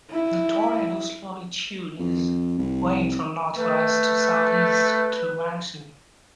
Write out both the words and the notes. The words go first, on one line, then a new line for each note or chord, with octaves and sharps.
The tornado slowly chewed its way from northwest to southeast through Manson.
E4
F2
C2
A3 B4